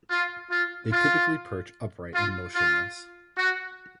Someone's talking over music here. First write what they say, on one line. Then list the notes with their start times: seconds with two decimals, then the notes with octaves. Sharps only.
They typically perch upright and motionless.
0.10 F4
0.50 F4
0.91 F4
2.14 F4
2.55 F4
3.37 F#4